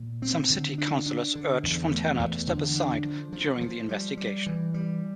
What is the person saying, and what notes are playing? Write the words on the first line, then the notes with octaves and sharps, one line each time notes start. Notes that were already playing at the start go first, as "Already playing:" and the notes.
Some city councillors urged Fontana to step aside during the investigation.
Already playing: A#2
C4
D3
D4
D4
D3
E2
A3
E2
D3
D4
F3
F3
F3
G3
G3
E3
G3